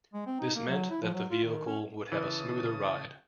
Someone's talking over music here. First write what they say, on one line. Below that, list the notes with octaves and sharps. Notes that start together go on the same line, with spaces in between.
This meant that the vehicle would have a smoother ride.
G#3
C4
D#4
A#3
F#3
E4
F3
F#3
F4
D#3
C#4
C#3 E3 A5 D#6